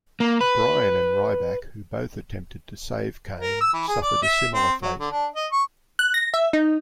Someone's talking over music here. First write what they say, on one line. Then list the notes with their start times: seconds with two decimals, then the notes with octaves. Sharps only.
Bryan and Ryback, who both attempted to save Kane, suffered a similar fate.
0.20 A#3
0.41 B4
3.40 A#4
3.61 E6
3.73 E3
3.88 G#4
4.02 D5
4.22 E5
4.54 C4
4.82 F#3
4.99 D3
5.12 D4
5.36 D#5
5.52 C#6
5.99 F#6
6.14 A#6
6.34 E5
6.53 D#4